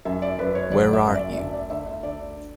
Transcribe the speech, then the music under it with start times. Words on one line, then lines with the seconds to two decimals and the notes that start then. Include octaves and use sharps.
Where are you?
0.05 F#2 E5
0.22 D5
0.39 F#2 B4
0.55 C#5
0.71 F#1 D5
0.93 E5
1.04 F#2
1.15 D5
1.37 D2 E5
1.53 D5
1.70 D2 E5
1.86 E5
2.03 D2 D5